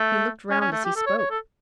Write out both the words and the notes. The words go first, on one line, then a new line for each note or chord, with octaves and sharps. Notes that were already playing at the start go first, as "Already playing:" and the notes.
He looked round as he spoke.
Already playing: A3
C#4
C#4
A3
G4
A4
C#5
C#5
A4